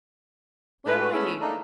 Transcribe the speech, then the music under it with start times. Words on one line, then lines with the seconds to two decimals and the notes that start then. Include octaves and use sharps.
"Where are you?"
0.86 A2 G#3 D4 B4
1.12 G#3 A3 B3 C#4 E4 G#4
1.40 A3 A#3 D4 D#4